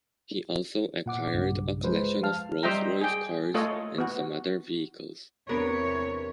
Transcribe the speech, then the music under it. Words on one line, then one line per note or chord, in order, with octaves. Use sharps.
He also acquired a collection of Rolls Royce cars and some other vehicles.
A#2 F#5 D6
B1 G2 C#3
F3 G#3 B4 C5
F5 A5 F6
G3 C5 D#5 E5 G5 A#5
G#4 G5
A3 F4 A4 C#5 D#5
B3 F#4
E2 C3 B3 D4 A#4 C#5